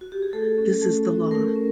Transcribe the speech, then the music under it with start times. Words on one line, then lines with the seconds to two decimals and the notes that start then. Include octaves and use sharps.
This is the law.
0.01 F#4
0.12 G4
0.22 G#4
0.33 A3 A4
0.58 C#4 F#4
0.82 A3
1.06 C#4 F#4
1.31 A3 A#4
1.56 C#4